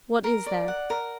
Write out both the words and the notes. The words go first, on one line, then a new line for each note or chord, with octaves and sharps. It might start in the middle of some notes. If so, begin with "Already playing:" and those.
What is there?
A#4
D5
F#5
A#4